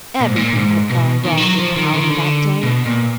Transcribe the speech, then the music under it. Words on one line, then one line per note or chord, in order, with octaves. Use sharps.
Everything had gone wrong with Polly that day.
A#2
G#2
A#2
G#2
B2
D#3
F3
F#3
F3
D#3
D3
D#3
D3
B2
A#2